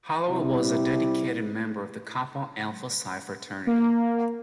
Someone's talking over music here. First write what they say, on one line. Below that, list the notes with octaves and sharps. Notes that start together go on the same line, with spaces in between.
Hollowell was a dedicated member of Kappa Alpha Psi fraternity.
C3 G3 E4
A#3